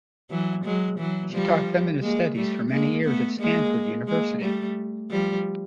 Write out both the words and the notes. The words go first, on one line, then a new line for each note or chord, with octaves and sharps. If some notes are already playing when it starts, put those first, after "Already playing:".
She taught feminist studies for many years at Stanford University.
E3 F#3
F#3 G#3
E3 F#3
F3 G3
G#3 A#3
G3 A3
G#3 A#3
A3 B3
G#3 A#3
G#3 A#3
G3 A3
F3 G3